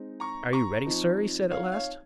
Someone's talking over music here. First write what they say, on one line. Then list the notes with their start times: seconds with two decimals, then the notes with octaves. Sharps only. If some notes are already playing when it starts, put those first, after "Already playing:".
"Are you ready, sir?" he said at last.
Already playing: G#3 C4 D#4
0.20 A#5 C#6
0.53 A#5 C#6
0.85 F3 C4 D#4
1.51 C#5 F5
1.72 C#5 F5